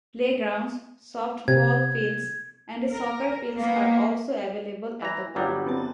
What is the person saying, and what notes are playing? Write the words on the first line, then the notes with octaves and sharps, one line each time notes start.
Playgrounds, softball fields, and a soccer fields are also available at the park.
C3 G#6
A#4
A#3 B3
E3 A#5
G1 F#3 G3
B3 C4 A5